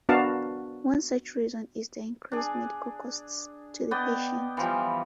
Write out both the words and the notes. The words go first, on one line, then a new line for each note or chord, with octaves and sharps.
One such reason is the increased medical costs to the patient.
B3 D4 F#4 A#4 F5 A5
D4 G#4
B3 D5 D#5 G5
E3 F3 G3